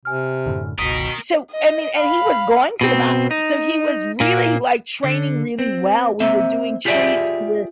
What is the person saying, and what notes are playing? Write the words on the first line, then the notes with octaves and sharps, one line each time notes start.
so, I mean, and he was going to the bathroom, so he was really, like, training really well, we were doing treats we're
C3 G#5 F6
F#2 A2 D3
F#1 C#2 B2 A#4 D#5 D#6 B6 C7
D#5
F5 B5
B2 C4
D#4
A#2 A#3
D3
C4
A#3 C4 E5
F4 G4 G#4 B4 D5 E5